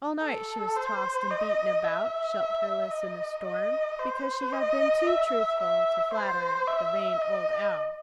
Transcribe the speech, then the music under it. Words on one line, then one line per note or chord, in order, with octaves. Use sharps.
All night she was tossed and beaten about shelterless in the storm, because she had been too truthful to flatter the vain old Owl.
A4
C5
D#5
E5
D#5
D#5
C5
D#5
E5
E5
C5
E5
D#5